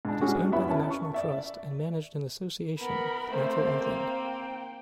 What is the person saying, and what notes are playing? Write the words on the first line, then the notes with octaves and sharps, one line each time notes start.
It is owned by the National Trust and managed in association with Natural England.
G#2 D4
G3 G#3 C#4 F#4
E2 B3 E4 E5 B5
C#4 A#4 A5
C#6
D5 E5
B3 A#4 B5
A3 A#3 C4 C5
G5